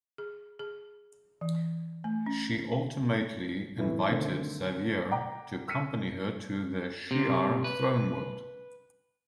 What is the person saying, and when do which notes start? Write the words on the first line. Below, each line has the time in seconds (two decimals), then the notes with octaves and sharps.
She ultimately invited Xavier to accompany her to the Shi'ar throne-world.
0.18 G#4
0.59 G#4
1.41 E3
2.04 A3
2.26 C#4
3.79 A2 E3 E4
4.09 D3 D#3 A3 C4
5.11 D5 F#5 G5 A#5 D6
5.68 E6 F6 B6 C#7 D#7
7.11 C3
7.64 B4